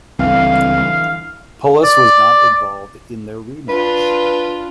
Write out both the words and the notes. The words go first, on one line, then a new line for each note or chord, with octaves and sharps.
Polis was not involved in their rematch.
C#2 D3 E3 G3 C4 F5
D5
D4 F4 B4